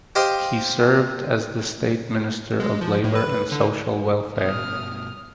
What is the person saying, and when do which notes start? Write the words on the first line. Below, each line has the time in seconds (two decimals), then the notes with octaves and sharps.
He served as the State Minister of Labor and Social Welfare.
0.15 G4 C5 D#5 F5 G5
2.60 G#3
2.81 F3
3.04 A2
3.15 B4
3.52 D3
4.37 G2 B2 D#6 F6